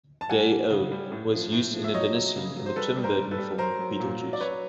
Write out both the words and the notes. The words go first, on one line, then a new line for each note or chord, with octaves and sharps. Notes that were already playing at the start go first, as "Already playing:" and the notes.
"Day-O" was used in a dinner scene in the Tim Burton film "Beetlejuice".
A5
G3 F#5 G#5
E3
C#3
G3
A2
F3
A2
F3
E5
F#3 C#5 D#5
F#3
C#3
F#3
C5
G3 A4 B4
G3
A#4 C5
G3
A4 B4
G3
F#3 A#4 C5
F#3
A#2
F#3
D5
F#3 B4 C#5